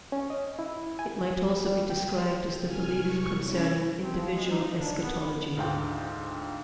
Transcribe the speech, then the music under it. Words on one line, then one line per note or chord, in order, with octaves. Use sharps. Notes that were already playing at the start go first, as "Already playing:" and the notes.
It might also be described as the belief concerning individual eschatology.
C#4
D#5
E4
G#5
G3
G5
C5
C2 G#5 F6
C#6
C#4 E4
C4
F3
G#3
D#4
D4
B3
D2 G#2 F4 G5